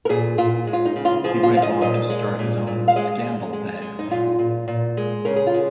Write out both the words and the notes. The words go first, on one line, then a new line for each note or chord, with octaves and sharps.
He went on to start his own Scandal Bag label.
A#4
A#2 G#4
A#2 F4
G#3
F4
D#4
C#3
F4
F3 G#4
F4
F3 F5
D#5
A#2 D#5
G#3
A#2
A#2
F5
G#3 D#5
G#3
G#3
G#3
D#4
A#2 F4
A#2
A#2
G#3
C#3 A#4
G#4
F4
G#3